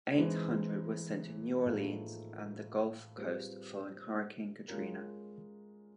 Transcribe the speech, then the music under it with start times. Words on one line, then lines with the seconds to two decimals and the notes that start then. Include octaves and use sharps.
Eight hundred were sent to New Orleans and the Gulf Coast following Hurricane Katrina.
0.15 E3 G#3 C4 D#4
1.66 A2 F3 A#3 D#4 G#4
3.18 G3 C4 F4 G#4 B4
4.68 G#3 C#4 F4 A#4